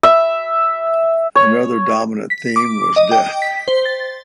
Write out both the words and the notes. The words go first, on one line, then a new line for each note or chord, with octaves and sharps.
Another dominant theme was "death".
E5
C#5
B6
D6
D#5
G5
B6
C5
A6